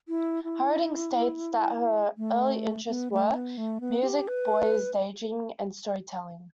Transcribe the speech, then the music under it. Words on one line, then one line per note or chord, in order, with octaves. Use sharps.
Harding states that her early interests were, "music, boys, daydreaming and storytelling".
E4
E4
A3
B3
A3
B3
A3
B3
G4
B4